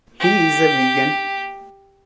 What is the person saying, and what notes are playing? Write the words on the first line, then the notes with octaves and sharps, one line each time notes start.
He is a vegan.
G4